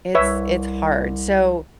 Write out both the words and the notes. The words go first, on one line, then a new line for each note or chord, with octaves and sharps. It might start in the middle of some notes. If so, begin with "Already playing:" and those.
It's it's hard. So
C2 B4 C#5 E5